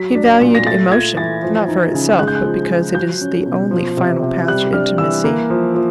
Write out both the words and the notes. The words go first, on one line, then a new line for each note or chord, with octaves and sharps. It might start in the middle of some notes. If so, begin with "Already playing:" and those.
He valued emotion--not for itself, but because it is the only final path to intimacy.
Already playing: F#3 B6
D4
A#2
A#6
A3 A6
F4 G#6
E3 A6
F3
D#4
C#3
G#3 F#6
G6
F#6
F3
F3
F#3 G6
C#4
B2
F3
C3
C3
G3 F#6
D4 F6
E3 E6
A#3
F3
F3